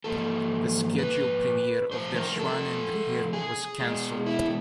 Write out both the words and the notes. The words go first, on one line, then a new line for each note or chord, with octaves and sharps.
The scheduled premiere of "Der Schwanendreher" was cancelled.
G#2 F3 A#3 A4
B4
C3 F3 A3 C5
A#4
A4
G#4
B2 G#3
E4